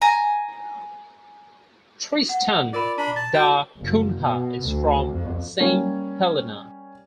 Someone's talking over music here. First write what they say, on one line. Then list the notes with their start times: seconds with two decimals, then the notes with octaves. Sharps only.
Tristan da Cunha is from Saint Helena.
0.02 G#5 A#5
2.29 F#5
2.73 F4 A#4 D5 B5
2.98 D4 A#5 B5
3.16 A5 A6
3.34 F#4 G5
3.78 F#1
4.22 B2
4.63 D2
5.13 F2
5.60 G3 A#3 C#4 C#5